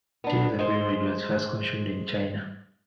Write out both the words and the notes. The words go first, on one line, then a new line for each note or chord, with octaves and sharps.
Tea as a beverage was first consumed in China.
B3 D4
G#3 C5